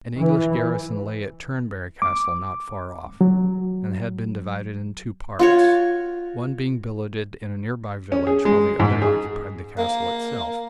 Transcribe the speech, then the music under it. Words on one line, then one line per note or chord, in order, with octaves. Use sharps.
An English garrison lay at Turnberry Castle not far off, and had been divided in two parts, one being billeted in a nearby village, while the other occupied the castle itself.
E3
D6
F#3
F4 F#4 C#5
C#4
G#4
G#3
G#2
G#4
A#3